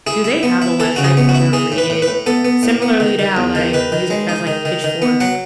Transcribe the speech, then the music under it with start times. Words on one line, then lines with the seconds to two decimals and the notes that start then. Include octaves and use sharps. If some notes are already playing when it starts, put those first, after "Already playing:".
Do they have a website where they're rated similarly to how, like, music has, like, Pitchfork?
0.07 E4 G#4
0.24 E4
0.43 B3
0.62 E4
0.80 E3 A4
0.96 C#3 F#4
1.04 G#4
1.17 B3
1.29 F#4
1.35 E4
1.53 E3 G#4
1.72 A2
1.78 B4
1.90 A2
2.02 B4
2.08 A2
2.26 B3 A4
2.45 B3
2.63 A2
2.82 B3
3.00 D#3
3.19 D#3
3.37 E2
3.55 D#3
3.73 D#3 B4
3.92 D#3
4.10 G#3
4.29 D#4
4.47 D#3
4.65 D#3
4.84 D#3
5.02 B3
5.20 F#3 F#5